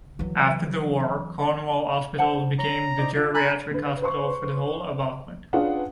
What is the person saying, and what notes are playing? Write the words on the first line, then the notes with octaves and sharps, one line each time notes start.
After the war Cornwall Hospital became the geriatric hospital for the whole of Auckland.
E3 F#3
C5 F#5 A5
C#5 A#5
D#4 C5 D5
F4 D5
G#5 A#5 B5 F#6
D3 B4
B4 C5 C6 C#6
C#4 D4 F4 G#4 B4 F#5